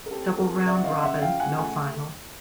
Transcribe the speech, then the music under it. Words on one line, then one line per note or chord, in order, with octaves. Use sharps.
Double-round robin, no final.
A#4
C4 G4 A4
G3
G#4 A#4
C4
C#3 D5 E5
F#5
C#3 D#5 F5
C#3 E5 F#5
F3 F5 G5
C#3 F#5 G#5
A3 F#5 G#5